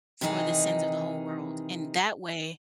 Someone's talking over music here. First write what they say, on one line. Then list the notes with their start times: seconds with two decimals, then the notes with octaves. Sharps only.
for the sins of the whole world, in that way
0.21 C3 D#3 E3 D#4 G#4